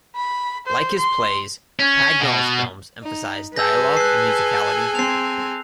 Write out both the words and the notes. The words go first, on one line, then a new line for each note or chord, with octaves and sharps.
Like his plays, Pagnol's films emphasize dialogue and musicality.
B5
C5
C6
C#4
B2
D#4
G#4 A4 B4 G#5 E6 G6 A#6
F#6 C7
C4 C7 F7